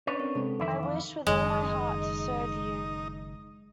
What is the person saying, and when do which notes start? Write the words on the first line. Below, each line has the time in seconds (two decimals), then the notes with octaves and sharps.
I wish with all my heart to serve you.
0.07 C#4 D4 B4 C#5
0.20 C4 A#4
0.35 C3 G#3 C4 A4
0.60 F2 D#3 E3 D#4 E4 E5 D6
0.83 F5
1.27 F#1 F#2 D#3 G#3 D#4